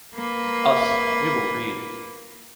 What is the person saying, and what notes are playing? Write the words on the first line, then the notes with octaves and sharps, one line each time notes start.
Us, we will read.
A#3 B4